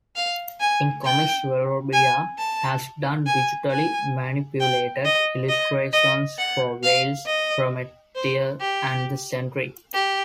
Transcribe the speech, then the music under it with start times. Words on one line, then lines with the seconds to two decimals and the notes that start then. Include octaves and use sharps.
In comics, Villarrubia has done digitally manipulated illustrations for "Veils", "Promethea" and "The Sentry".
0.16 F5
0.60 G#5
1.04 G5
1.93 G#5
2.38 A5
3.26 G#5
3.71 G#5
4.60 G5
5.05 D#5
5.49 D#5
5.93 D#5
6.38 F#5
6.83 F5
7.26 D#5
8.15 C5
8.60 G4
9.94 G4